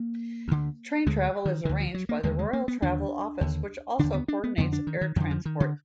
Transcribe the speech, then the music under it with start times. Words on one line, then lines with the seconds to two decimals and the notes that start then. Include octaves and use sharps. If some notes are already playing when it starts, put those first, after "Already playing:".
Train travel is arranged by the Royal Travel Office, which also co-ordinates air transport.
Already playing: A#3
0.48 D2 D3
1.07 D2 D3 G#3
1.45 D#3
1.65 D2 D3 D#3
1.80 F3
1.94 F#3
2.09 A#3
2.23 D#2 D3 G#3
2.39 G#3
2.53 A#3
2.68 B3
2.82 D#2 D3 D4
3.41 D#2 D3
3.99 D#2 D3 D4
4.14 B3
4.28 D4
4.44 B3
4.57 F2 D3 B3
4.73 D4
4.87 D#3
5.01 D#3
5.16 F2 D3 D#3
5.31 F3
5.45 D#3
5.60 D3